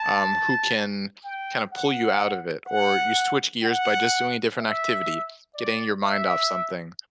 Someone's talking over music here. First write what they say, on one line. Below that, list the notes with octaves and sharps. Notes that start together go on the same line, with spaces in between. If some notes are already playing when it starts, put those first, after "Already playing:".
um, who can kinda pull you out of it, or you switch gears by just doing a different activity, getting your mind off something.
Already playing: A5
G5
F#5
F#5
F#5
E5
D5
E5